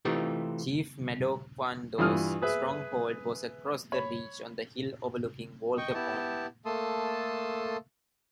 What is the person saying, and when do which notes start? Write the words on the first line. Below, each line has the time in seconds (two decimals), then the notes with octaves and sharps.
Chief Madockawando's stronghold was across the reach on the hill overlooking Walker Pond.
0.05 C3 E3 A3 D#4 F4 G4
1.98 G2 E3 F4 D#6 F6
2.42 G#4 B4 E5
3.92 C#5 B5
5.77 D#5 G5 C#6
5.94 B3 E4 G4 A5
6.65 A3 A#3 A4 A5 C6 D#6